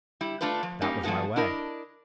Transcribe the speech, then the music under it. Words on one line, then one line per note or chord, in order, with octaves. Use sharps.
That was my way.
G3 E4
A3 D4 F4 A4 B4
F3
G3 A#3 C#4 D#4
F3 F#3 G#3 A3 B3 F#4
D4 E4 A#4 D#5